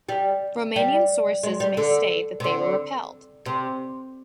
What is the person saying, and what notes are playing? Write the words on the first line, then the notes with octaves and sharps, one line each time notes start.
Romanian sources may state that they were repelled.
G3
G3
G#3
G3
D3
C3
D3
C3